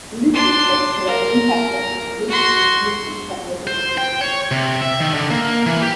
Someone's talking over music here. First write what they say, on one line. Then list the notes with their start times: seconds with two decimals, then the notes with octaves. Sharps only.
In this respect, a relevant factor is the produced species' feed conversion efficiency.
0.34 D4 C6
1.07 A#4
2.29 F#4 C6
3.67 C5
3.98 G5
4.21 C#5
4.51 C3
4.81 E5
5.00 D#3
5.14 D3
5.30 A#3
5.67 E3
5.82 G4